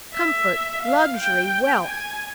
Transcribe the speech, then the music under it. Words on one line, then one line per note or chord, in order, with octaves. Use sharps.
Comfort, luxury, wealth!
E5
F5
G5
G#5